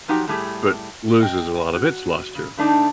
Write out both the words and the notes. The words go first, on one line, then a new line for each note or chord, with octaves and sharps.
but loses a lot of its luster.
F3 F#3 D#4 F#4 G4 G5
A2 G3 A3 G4 G#4
D#5 G5
F#4
C#3
D3 A3 D4 D#4